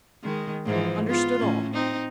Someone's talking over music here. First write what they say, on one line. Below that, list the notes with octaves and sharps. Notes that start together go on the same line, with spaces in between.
Understood all.
D#3 G#3
G#2 E3 F3
B3 F4
A2 C#4
C4 D#4